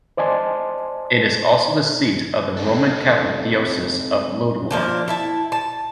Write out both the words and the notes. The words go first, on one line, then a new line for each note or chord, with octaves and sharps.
It is also the seat of the Roman Catholic Diocese of Lodwar.
C5 D5 D#5 G#5 A5 C6
C4 D#4 A4
F3 A#3 D4
E4 E5 A5
A5